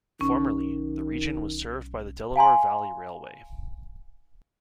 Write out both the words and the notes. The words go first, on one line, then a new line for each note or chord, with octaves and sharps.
Formerly, the region was served by the Delaware Valley Railway.
B1 D#3 C#4
F5 G#5 A#5 C6